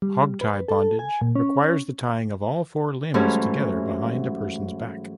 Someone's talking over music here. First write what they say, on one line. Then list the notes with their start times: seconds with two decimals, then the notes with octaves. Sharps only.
Hogtie bondage requires the tying of all four limbs together behind a person's back.
0.02 G3
0.41 B4
0.68 A4
0.99 G#5
1.21 A#2
1.36 C#4
3.14 G#2 E3 F#3 G3 A3 C#4